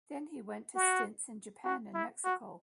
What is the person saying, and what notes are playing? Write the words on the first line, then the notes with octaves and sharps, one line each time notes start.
Then he went to stints in Japan and Mexico.
F#4
F#4
E4
F#4